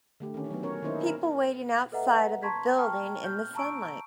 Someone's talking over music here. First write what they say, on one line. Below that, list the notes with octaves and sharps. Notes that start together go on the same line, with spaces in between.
People waiting outside of a building in the sunlight.
D3 A3 G4
D#3 C#4
F#3 B3
C#4 A#4 C#5
D#3 A#3 C#4 D#4 E4 C5
A#4
A4 B4 D#5 E5 F#5 A#5
A5 A#5 C6 C#6 G#6 B6
G5 A5 A#5 C#6 F6
F6 G6
A5 A#5 C#6 E6 D7